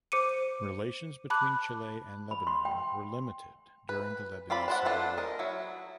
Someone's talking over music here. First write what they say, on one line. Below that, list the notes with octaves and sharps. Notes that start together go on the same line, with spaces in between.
Relations between Chile and Lebanon were limited during the Lebanese Civil War.
C5 D6 C#7 D#7
A5 B5 D6 F#6
B5
C6
G5
B4
C4 F4 D5 B5
D4 C5 F#5
D4 F4 A4 B4 C5
A#4 D#5
F#3 E4